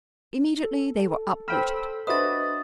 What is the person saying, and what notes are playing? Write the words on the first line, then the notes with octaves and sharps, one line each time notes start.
Immediately they were uprooted.
A4
C5 G5 B5 E6 F6
D4 F#4 B4 C5 D#5 E5 D#6 A6